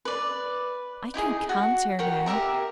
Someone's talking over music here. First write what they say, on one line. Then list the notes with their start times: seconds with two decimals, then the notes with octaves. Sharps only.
"I can canter now!"
0.05 B4 D5
1.14 D#4 E4 G4 G#4
1.49 F#4
1.99 A#4 C#5 F#5 G5
2.26 G4 A#4 E5 A#5